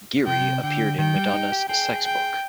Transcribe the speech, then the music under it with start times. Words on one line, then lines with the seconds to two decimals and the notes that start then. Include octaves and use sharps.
Geary appeared in Madonna's "Sex" book.
0.27 C3 G5
0.63 D3 G5
0.98 D#3 G5
1.16 G3
1.34 D#4
1.52 G4
1.69 G#4 G5
2.04 G5